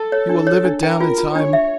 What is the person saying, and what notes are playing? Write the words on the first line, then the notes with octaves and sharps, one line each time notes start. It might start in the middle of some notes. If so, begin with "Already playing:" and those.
You will live it down in time.
Already playing: A4 A5
C#5
D4
C#5
D4
A#4 G5
F4
F4
D4 C#5
E5